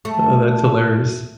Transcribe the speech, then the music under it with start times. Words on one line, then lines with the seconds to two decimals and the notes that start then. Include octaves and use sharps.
Oh, that's hilarious.
0.05 A3